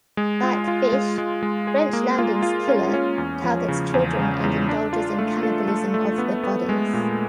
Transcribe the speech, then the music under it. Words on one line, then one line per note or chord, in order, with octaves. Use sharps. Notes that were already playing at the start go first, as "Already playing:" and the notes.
Like Fish, French Landing's killer targets children and indulges in cannibalism of the bodies.
G#3
F4
F4
G#3
G#3
G#3
G#4
A#3
F4
F4
C#4
C#4
E2
F3
C#3
E2
C#3
E2
D4
F4
A3
A4
A3
A3
B3
B3
G#3
A#2